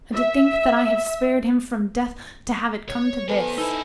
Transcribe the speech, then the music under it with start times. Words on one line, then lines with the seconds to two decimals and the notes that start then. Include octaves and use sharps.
And to think that I have spared him from death to have it come to this!
0.16 E5
2.89 C#5
3.29 B3 A4 B4 C5 G#5
3.58 D#4 E4 A4 G#5 E6